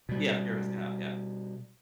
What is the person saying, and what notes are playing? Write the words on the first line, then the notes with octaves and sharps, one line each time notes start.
Yeah, fear of missing out, yeah.
B2 G3